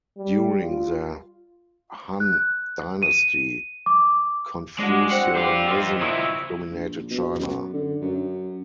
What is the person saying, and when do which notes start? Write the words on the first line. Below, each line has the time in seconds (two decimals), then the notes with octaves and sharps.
During the Han dynasty Confucianism dominated China.
0.17 G3
0.61 F4
2.20 F#6
3.03 D#7
3.86 D6
4.79 G#3 D4 F#4
5.11 C4 F#5
5.36 G3 C5 F5 E6
5.68 C4 F4 C5 D#5
6.01 F3 E4 D#5 C#6 E6
6.71 A#1
7.11 B2
7.39 F#2
7.73 D3
8.02 F#2